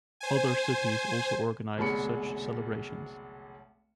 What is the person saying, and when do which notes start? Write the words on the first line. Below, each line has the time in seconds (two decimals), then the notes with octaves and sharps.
Other cities also organize such celebrations.
0.20 C5 G#5
1.78 F1 B1 D3 G#3 B5 C#7